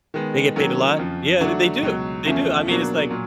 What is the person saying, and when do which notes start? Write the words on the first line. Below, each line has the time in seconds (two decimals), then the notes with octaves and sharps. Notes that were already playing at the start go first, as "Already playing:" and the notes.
They get paid a lot? Yeah, th they do. They do, I mean, it's like
0.14 D#3 G#3 B3
0.56 D#3 F#3 A#3 C#4
0.98 F2 C#3 F3
1.40 D3 F#3 A3 D4 F#4
1.82 C#2 B2 F#3
2.25 E2 C#3 F3 A3 C#4
2.67 B2 F#3 A#3 D4
3.10 A#2 F#3